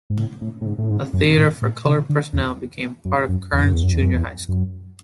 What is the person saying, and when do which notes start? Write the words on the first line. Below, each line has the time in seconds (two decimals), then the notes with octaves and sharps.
A theater for "colored personnel" became part of Kearns Junior High School.
0.10 G#2
0.18 A2
0.41 A2
0.61 A2
0.66 G#2
0.78 A2
0.90 G#2
1.13 F#2
1.38 A2
1.62 A2
1.85 C#3
2.09 D3
2.33 E2
3.05 F#2
3.29 F#2
3.53 E2
3.63 F#2
3.73 E2
3.83 F#2
3.93 E2
4.02 F#2
4.13 E2
4.49 F#2